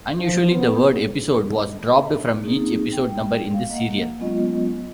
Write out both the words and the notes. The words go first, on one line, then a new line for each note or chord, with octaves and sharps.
Unusually, the word "episode" was dropped from each episode number in this serial.
F3
B3
A#3 C4 C#4 D#4 G#4
G5
F5
A#3 D#5 F#5
F#3 G#3 B3 C#4 F4 D#5